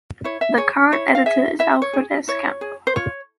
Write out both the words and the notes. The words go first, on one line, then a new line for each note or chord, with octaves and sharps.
The current editor is Alfred S. Campbell.
E4 C#5
E5
G#4 C#5
E4 C#5
F5
G#4 E5
E4 E5
C#5
G#4
E4 C#5
G#4
C5
F4 C#5